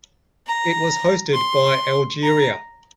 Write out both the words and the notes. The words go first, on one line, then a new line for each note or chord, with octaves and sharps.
It was hosted by Algeria.
A#5
C6
A#5